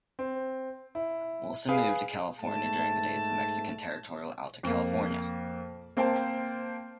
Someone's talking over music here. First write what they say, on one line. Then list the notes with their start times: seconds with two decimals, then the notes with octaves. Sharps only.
Wilson moved to California during the days of Mexican territorial Alta California.
0.19 C4
0.95 E4
1.69 G#4 B4 F5 G#5
2.41 G#2 A3 A5
4.63 F2 A#3
5.97 A#3 C4 A#4 C5 G5 A5